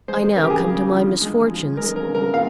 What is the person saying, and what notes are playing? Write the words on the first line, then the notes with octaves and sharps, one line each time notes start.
I now come to my misfortunes.
G#3 C5
C#3 A#4
G4
G#4
C#3
F3
G#3
F3
G#3 A#4
A#4
C#3
A#4
A#2 F5